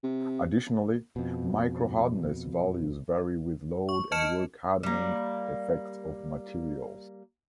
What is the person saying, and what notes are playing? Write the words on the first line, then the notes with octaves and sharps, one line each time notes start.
Additionally, microhardness values vary with load and work-hardening effects of materials.
C3
F2 B2
C#6
D#5 A5 F6 C#7 E7
G3 A#3